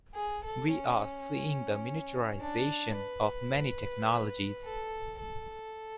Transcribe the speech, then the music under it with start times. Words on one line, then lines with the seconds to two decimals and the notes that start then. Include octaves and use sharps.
We are seeing the miniaturization of many technologies.
0.15 G#4
0.44 A4
0.71 C#4
2.40 D4
2.96 B4
4.64 A4
5.20 A4